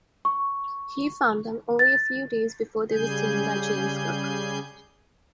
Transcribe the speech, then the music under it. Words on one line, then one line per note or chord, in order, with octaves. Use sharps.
He found them only a few days before they were seen by James Cook.
C#6
A6
C#3 G3 G#4 G#5 G6